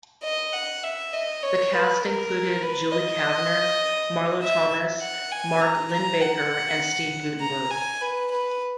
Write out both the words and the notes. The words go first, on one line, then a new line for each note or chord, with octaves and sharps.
The cast included Julie Kavner, Marlo Thomas, Mark Linn-Baker and Steve Guttenberg.
D#5
F#5
E5
D#5
C#5
B4
A#4
B4
D#5
E5
F#5
G#5
A#5
A#5
F#5
A#5
G#5
B4
B4